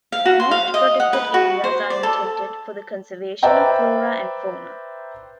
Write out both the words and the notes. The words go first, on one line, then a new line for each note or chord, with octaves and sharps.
Most protected areas are intended for the conservation of flora and fauna.
F5
F#4
C6
F5
D#5
F#5
B4
F#4
C5
D5
A4
B4 C5 D5 E5 G5 A#5